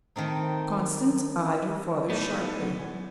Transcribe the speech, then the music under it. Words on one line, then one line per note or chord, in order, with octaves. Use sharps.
Constance eyed her father sharply.
D#3 A3 C4 D#4
A2 B3 D#4 A4 D5 D#5 A5
D3 F#3
E2 G#5